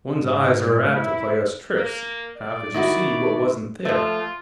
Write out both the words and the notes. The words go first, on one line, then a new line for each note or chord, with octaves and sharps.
'One's eyes are apt to play us tricks;--how could you see what wasn't there?'
G#2
E4
A#3
D5
D#3 E4 F#4
F3 A3 F4